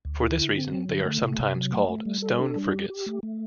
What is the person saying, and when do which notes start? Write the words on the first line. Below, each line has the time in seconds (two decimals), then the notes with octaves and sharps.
For this reason they are sometimes called stone frigates.
0.05 D2
0.22 E4
0.38 D3
0.56 C4
0.72 F#3
0.89 D3
1.05 A3
1.22 C3
1.39 C3
1.56 F#3
1.72 A3
1.89 A3
2.06 G3
2.22 A4
2.39 D4
2.56 G3
2.73 G4
2.90 G4
3.06 A3
3.23 A3